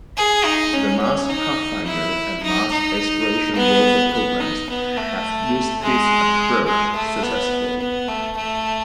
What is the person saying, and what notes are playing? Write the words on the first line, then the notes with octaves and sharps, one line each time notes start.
The Mars Pathfinder and Mars Exploration Rover programs have used this approach successfully.
G#4
D#4
C#4
C#4
D#4
E4
D#4
D#4
B3
B3
D#4
B3
A3
G#3
G#3
A3
B3
B3
A3
A3